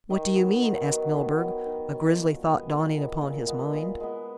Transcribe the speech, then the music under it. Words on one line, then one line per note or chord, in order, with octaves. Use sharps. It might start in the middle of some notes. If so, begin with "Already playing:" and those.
"What do you mean?" asked Milburgh, a grisly thought dawning upon his mind.
D#3
F#3 B3
D#3
F#3 B3
D#3
F#3 B3
D#3
F#3 B3
A#2
G#3 B3
A#2
G#3 B3
A#2
G#3 B3
A#2
G#3 B3